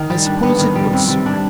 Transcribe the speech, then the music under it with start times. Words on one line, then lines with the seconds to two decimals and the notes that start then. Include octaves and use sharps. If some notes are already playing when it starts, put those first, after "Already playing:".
'I suppose it would, sir.
Already playing: D#3
0.10 G3
0.26 D4
0.43 B3
0.59 D#3
0.75 G3
0.93 C3
1.08 G3
1.26 D4